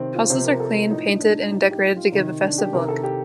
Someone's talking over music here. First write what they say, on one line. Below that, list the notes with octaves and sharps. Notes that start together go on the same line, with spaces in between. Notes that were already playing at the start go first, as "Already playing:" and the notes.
Houses are cleaned, painted and decorated to give a festive look.
Already playing: C3 D#3 C4
F4
C3 F3 C5
A#4
A4
A2 F3 D#4
D4
D4
A2 F3 D#4
D#4
G4
G4
F4
C3 D#3 D#4
D4
G4
C3 D#3 A#4
A4
G4